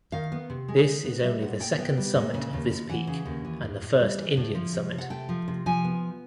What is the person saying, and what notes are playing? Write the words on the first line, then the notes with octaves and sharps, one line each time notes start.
This is only the second summit of this peak and first Indian summit.
D#3 F5
B3
C3
G#3
D#3
B3
G3 E5
A#2 F#5
A#2 G5
B3 G5
G3
A#2
C#3
D#2
D#2
E3 F#5
C#3
D#2
E3
A2
A2
G3
E3
A2
F3
C3
C3
F#5
A3 G5
F3
C3
F3 G#5
B3